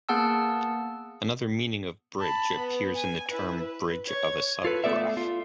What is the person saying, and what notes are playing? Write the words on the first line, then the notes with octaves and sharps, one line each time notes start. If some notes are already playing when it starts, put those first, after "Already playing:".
Another meaning of "bridge" appears in the term bridge of a subgraph.
A#3 B3 G#4 F#5 A5 E6
A5 B5
B3
G#5
E4 B4
B4
C#5 G#6
F4 A4 B4
A3 B3 A4 D5 E5
F4